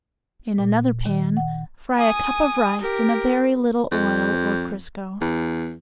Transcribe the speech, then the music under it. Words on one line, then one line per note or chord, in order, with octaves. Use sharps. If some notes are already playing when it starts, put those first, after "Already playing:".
In another pan fry a cup of rice in a very little oil or crisco.
A#2
D#3
F#5
G#5 D#6
G4 A#4
F2
E2